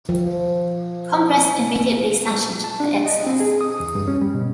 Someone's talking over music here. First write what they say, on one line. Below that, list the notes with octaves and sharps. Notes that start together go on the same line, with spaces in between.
Congress immediately sanctioned the excess.
F3
A5
D4
D#5
C4
G#4
D#6
E2
G2
C#4
G3
B2